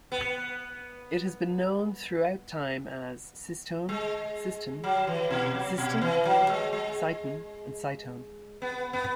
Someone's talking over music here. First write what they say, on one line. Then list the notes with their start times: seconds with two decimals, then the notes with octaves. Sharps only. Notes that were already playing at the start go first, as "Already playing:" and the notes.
It has been known throughout time as Sistone, Siston, Systun, Syton, and Sytone.
0.12 B3
3.89 G#3
4.84 F#3
5.07 E3
5.31 B2
5.54 F#3
5.78 B2
6.02 E3
6.25 F#3
6.49 G#3
6.72 G#3
8.62 B3
8.93 B3